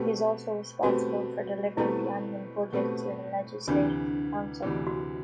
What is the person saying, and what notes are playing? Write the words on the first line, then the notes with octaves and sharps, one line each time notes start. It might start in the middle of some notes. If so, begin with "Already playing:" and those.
He is also responsible for delivering the annual budget to the Legislative Council.
Already playing: B2 A3 C4 G4 B4
B2 A3 C4 F#4 G4 B4
B2 A3 C4 E4 G4 B4
B2 A3 C4 G4 B4
D2 C3 E3 D4
D2 C3 E3
F#4